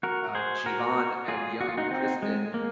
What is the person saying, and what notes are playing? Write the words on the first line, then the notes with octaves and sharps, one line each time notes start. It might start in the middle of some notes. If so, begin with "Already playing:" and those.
uh, Jeevan, and young Kristen
F#4 A#4
G#4 C5
F#4 A#4
F4 G#4
F#4
F4
D#4 F#4
C4 D#4
G#3
A#3